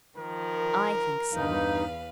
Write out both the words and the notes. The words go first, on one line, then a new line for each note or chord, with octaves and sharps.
"I think so."
D#3 F3 A#4
E2 G2 D#4 B4 F5